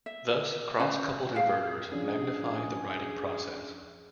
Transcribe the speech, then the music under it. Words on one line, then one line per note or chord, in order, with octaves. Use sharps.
Thus, cross-coupled inverters magnify the writing process.
E5
C#4 B4 C5 G#5
G#4 E5 F5 G5
F3 C#4 D4 G#4